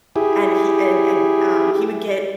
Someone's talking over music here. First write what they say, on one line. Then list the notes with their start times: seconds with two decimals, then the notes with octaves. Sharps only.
and he and and, um, he would get
0.16 E4 G4 G#4